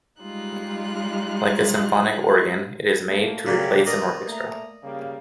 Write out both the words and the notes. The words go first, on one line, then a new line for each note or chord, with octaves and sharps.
Like a symphonic organ, it is made to replace an orchestra.
G3 G#3 D#4 F4 F#6
A3 A#3
A#2 C#3 F#3 A3 B3 G4
B2 D#3 A#4 D5 D#5
A3 A#3 A#5
C#3 G3 A#3